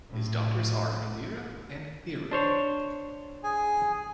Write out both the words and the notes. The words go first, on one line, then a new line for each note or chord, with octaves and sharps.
His daughters are Indira and Niru.
A2
D4 C5 C#5
G#4 G#5